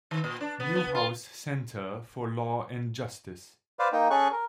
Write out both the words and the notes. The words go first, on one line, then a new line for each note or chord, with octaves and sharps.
Newhouse Center for Law and Justice.
D#3
A#2
D4
B3
B3
F4
B4 C5 D5 F5
A#3 D#4 G5
C#4 G#4 A4 C#6 F#6
A#4